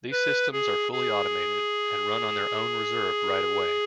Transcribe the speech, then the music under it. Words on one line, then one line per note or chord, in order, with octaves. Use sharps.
These systems are fully automated and run on their own reserved right of way.
B4
G#4
G#4